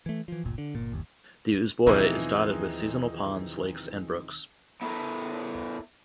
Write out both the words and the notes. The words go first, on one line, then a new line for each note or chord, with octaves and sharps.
The Uzboi is dotted with seasonal ponds, lakes and brooks.
E3 A3
E3 F3
D1 G1 A#2
D3
G1 A#2
G1 D#2
D#2 B2 E3 F3 C4 D#4 G#4
B3 E4 A4 A#4